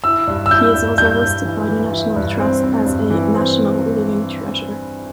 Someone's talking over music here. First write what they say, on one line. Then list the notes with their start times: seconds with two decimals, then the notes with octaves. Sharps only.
He is also listed by the National Trust as a "National Living Treasure".
0.04 E4 E6
0.27 G2
0.46 E6
0.51 E4 G6
0.75 G2
0.98 G2 G6
1.22 G2
1.45 E3
1.68 E3
1.93 E4
2.16 G2
2.40 C4
2.64 C4
2.86 G2
3.10 E3
3.34 C4